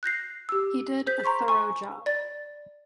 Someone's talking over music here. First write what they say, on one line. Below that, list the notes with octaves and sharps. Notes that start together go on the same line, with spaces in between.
He did a thorough job.
F#6 G6 A#6 C7
G4 E6
G#4 C5 G6 B6
A#5 C6 C#6 B6
G#5 C#6
D5 A6